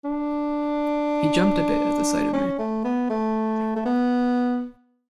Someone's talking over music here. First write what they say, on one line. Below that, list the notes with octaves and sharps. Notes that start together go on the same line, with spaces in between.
He jumped a bit at the sight of me.
D4
C#4
A3
B3
A3
A3
B3